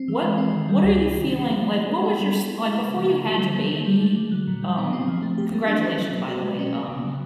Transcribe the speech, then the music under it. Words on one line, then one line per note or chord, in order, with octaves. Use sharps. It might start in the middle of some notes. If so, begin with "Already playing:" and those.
what what are you feeling like, what was your s like, before you had your baby, um congratulations, by the way. Um,
Already playing: C4
E3
G#3
C4
D#3
G3
C#2
C3
D#3
C#4
F3
A3
D#4
G#3
B3
G3
B3
E4
G#3
C#3
F3
A#3
D3
G3
A#3
D3
G3
A3
D3
F#3
A#2
G3
B3
C4
F3
A3
G4
A3
D4
C#4
F#3
A#3
F#4
G#3
C#4
A#3
C#3
F#3